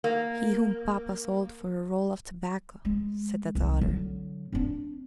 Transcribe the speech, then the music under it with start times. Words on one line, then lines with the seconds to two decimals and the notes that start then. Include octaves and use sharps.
"He whom papa sold for a roll of tobacco," said the daughter.
0.04 A#3 A#4
2.85 G#3
3.55 C2
3.81 D3 F#3
4.53 C4 D4